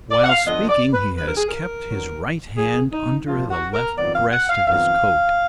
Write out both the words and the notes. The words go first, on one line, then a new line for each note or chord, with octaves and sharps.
While speaking he has kept his right hand under the left breast of his coat.
D5
F#5
F5
D3 F3 B3 D#5
D5
B4
D3 F#3 B3 B4
A#4
G#4
A#4
D3 F#3 B3
A#2 F3 A#3 G#4
D#4
A#2 F3 A#3 F4
F#4
A#4
F2 D#3 F#3 B3 D5
F5
F#5
F5
F2 D#3 F#3 B3 F5